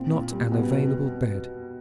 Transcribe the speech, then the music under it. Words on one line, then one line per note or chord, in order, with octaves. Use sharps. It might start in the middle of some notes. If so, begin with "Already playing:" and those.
Not an available bed.
Already playing: A#2 C4
A#2
G3
A#3
B2 B3
C4
B2
C4